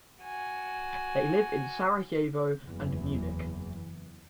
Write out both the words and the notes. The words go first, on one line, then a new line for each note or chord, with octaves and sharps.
They live in Sarajevo and Munich.
F#4 G#5
F#1 E2 E3